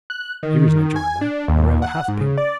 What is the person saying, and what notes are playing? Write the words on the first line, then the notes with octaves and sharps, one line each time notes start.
Here is no Joanna, nor ever hath been.
F#6
D#3
G#5
D4
D#2
F#5
G#2
C#3
D5